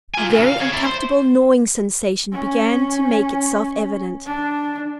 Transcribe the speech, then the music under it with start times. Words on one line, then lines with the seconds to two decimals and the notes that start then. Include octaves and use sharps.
A very uncomfortable gnawing sensation began to make itself evident.
0.15 F4 G#5
0.30 C#2 F#2
0.46 F5
0.60 C#5 F5
0.72 E4 D5
0.85 C5
2.32 C#4
4.26 D4